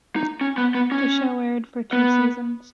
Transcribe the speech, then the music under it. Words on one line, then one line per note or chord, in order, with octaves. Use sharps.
The show aired for two seasons.
D#4
C#4
B3
B3
C#4
B3